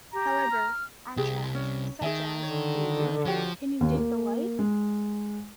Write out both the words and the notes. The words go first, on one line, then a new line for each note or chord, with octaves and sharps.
However, on tracks such as Baby, Can You Dig the Light?
G4 A#5
F6
C2 G4 G#4 G5
C#4
D#3 G#4 E5 G#5
D3 C#5
F3 F#4 G4 C#5
D#2
A#3
G#3